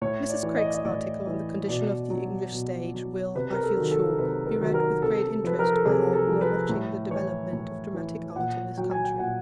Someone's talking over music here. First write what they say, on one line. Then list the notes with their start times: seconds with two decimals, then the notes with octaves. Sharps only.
Mrs. Craik's article on the condition of the English stage will, I feel sure, be read with great interest by all who are watching the development of dramatic art in this country.
0.01 A2 C#5
0.29 D5
0.43 E3
0.57 D#5
0.66 D5
0.74 D#5
0.85 A2 D5
1.27 E3
1.68 B2 D5
2.10 F#3
2.52 B2
2.94 F#3
3.35 C3 B4
3.53 A#4
3.63 A4
3.77 D#3 F#3
3.91 A4
4.18 C3 B4
4.47 A#4
4.61 D#3 F#3
4.74 A#4
5.02 C3 A4
5.44 F3 B4
5.59 A#4
5.72 A4
5.85 C3 G#4
6.13 A4
6.27 F3
6.41 B4
6.69 A2
7.10 E3 C#5
7.53 A2
7.94 E3
8.36 A#2 F#5
8.78 F#3 G5
8.91 G#5
9.04 G5
9.19 A#2 F#5